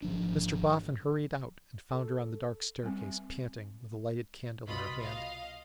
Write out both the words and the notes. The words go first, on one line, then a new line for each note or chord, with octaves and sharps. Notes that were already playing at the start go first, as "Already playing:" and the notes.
Mr Boffin hurried out, and found her on the dark staircase, panting, with a lighted candle in her hand.
G#1 F3 D4
A4
G3 C4
C2 B2 F4 D#5 B5
D#5 F5